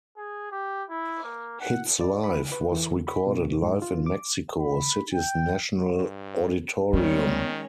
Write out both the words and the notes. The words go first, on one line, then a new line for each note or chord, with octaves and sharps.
HitsLive was recorded live in Mexico City's National Auditorium.
G#4
G4
E4
A#3
F#5
D5
B5
B4
E3
B5
B2
G#2
F4
D6
B5
G5
G2
D#3 G3 G#3 B3 C#4 C#5